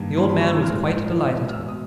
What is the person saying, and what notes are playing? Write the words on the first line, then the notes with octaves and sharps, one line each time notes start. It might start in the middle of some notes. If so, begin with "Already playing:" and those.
The old man was quite delighted.
Already playing: G2 D#3 G3 A#3
G2 D#3 G3 A#3 C6
B5
C#6
E6
A2 E3 G#3 F6
A2 E3 G#3
F6
E2 B2 G#3 E6
D#6